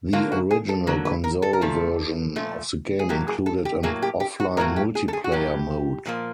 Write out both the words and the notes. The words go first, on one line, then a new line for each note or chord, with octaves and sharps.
The original console version of the game included an offline multiplayer mode.
D3 F#3 A#3 F4
F#4
G#4
A4
D3 F#3 A#3 A#4
B4
A#4
A4
A#4
A#2 F3 A3 A4
A#2 F3 A3
G#4
A2 F#3 A#3 G4
G#4
A4
G4
A2 F#3 A#3 G#4
G4
G4
F#4
A2 F#3 A#3 A#4
G4
G#4
A4
G#4
F#4
A2 F#3 A#3 G4
A#2 F3 A#3